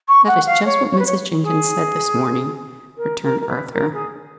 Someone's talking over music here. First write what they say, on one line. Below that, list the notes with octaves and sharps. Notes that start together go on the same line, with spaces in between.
"That is just what Mrs. Jenkins said this morning," returned Arthur.
C#6
F#5
F5
C#5
C#5
B4
C#5
G#4
A#4
A#4
A#4
B4
A#4
G#4